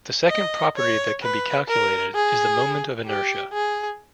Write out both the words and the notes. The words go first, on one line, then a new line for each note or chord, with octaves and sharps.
The second property that can be calculated is the moment of inertia.
D#5
C#5
B4
A#4
G#4
G4
G#4